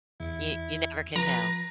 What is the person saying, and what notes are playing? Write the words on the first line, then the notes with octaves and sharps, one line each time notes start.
you you never can tell.
E2 E4
F3 B4 A#5 A#6